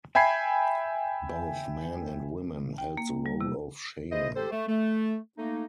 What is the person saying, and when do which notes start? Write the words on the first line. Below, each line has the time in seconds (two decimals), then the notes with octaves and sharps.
Both men and women held the role of shaman.
0.15 E5 G5 G#5 B5 G#6 C7
2.78 G5
2.97 A#3
3.26 G3
3.41 C3
4.11 E4 G#4 C5 D#5
4.35 G4 A4 C5
4.51 A3
4.67 A3
5.37 A3 A#3 D#4